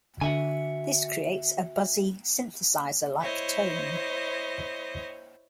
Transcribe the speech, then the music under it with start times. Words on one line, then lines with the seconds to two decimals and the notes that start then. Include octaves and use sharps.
This creates a buzzy synthesizer like tone.
0.21 D3 F#4 E5 G#5
3.20 E4 C5 C#5 D#5